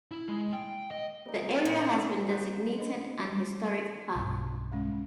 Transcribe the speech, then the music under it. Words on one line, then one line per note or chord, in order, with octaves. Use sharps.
The area has been designated an historic park.
E4
G#3
G5
D#5
G3 A#3 C4 D#4
A#2 C5 G5 D#6
D#4 F#4 C5
D4 C5 D#5
B1 G2
G3 G#3 C#4